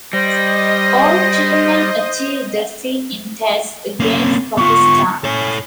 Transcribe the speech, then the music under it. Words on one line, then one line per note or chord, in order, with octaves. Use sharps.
All three men achieved the feat in Tests against Pakistan.
G3 C5 D#5 A#6
A#3 C#4
B3 F4 C#6
C#4 A4 C#5